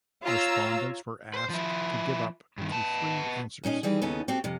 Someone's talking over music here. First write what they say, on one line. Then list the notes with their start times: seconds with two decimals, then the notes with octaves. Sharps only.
Respondents were asked to give up to three answers.
0.23 F4 C#5 F5 A#5 E6
1.34 B4 C5
1.50 F3 E4
2.58 G2 D#3
2.71 B3 A5
3.64 D#2 A#2 C#4 D#5
3.83 D#3 E3 G3 G#4
4.02 D#2 C#3 B3 C#4 D#4 A4
4.28 C4 F#4 G4 A4
4.44 F2 C3